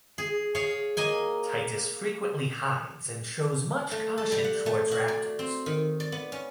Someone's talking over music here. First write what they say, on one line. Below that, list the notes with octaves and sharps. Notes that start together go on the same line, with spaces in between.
Titis frequently hides and shows much caution towards raptors.
G#4
G#4 C#5 F5
A#3 D#5 G#5
A3
A4
G3
F#5
A3
F#4
D5
C4
D#3
D5
B3
C#4